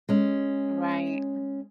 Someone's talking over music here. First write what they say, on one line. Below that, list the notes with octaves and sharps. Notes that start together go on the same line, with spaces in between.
Right, mm.
G#3 C#4